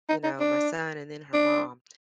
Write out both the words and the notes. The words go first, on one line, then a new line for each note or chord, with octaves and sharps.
you know, my son and then her mom.
D#4
D#4
D4
D4